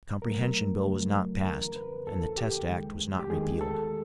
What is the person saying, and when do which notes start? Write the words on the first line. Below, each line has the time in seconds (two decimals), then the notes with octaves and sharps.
The Comprehension Bill was not passed; and the Test Act was not repealed.
0.22 F2 C#3 F#3 A3 A#4
0.84 F2 C#3 F#3 A3
1.45 E2 C#3 E3 A#4
1.76 B4
2.07 E2 C#3 E3 A4
2.38 G4
2.68 D#2 D#3 G#3
3.19 G4
3.30 D#2 D#3 G#3 G#4
3.61 A4